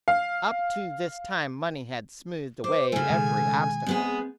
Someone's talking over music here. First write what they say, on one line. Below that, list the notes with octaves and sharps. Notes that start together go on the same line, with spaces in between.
Up to this time money had smoothed away every obstacle.
F5
C5 D6
C#3 A3 G#5
B2 D#3 G#3
G#3 B3 C4 G#4